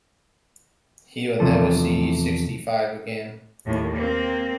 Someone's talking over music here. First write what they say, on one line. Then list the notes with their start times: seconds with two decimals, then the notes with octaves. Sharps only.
He will never see sixty-five again.
1.40 E2 C3 F3 A4
3.66 D#2 A2
3.96 A#3 C4